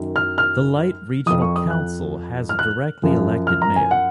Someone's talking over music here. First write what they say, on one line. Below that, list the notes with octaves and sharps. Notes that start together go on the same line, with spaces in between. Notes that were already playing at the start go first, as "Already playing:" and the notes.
The Light Regional Council has a directly-elected mayor.
Already playing: F#2 D#3 F#3
F6
F6
F2 F3 D#6
C#6
D#6
F#6
F6
F#6
F#2 F3
F6
A#5
G#5
F#5